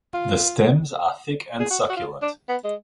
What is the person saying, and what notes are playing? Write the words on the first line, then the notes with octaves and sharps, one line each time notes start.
The stems are thick and succulent.
F4
G#4
F#4
F#4
F4
D4
B3
G#3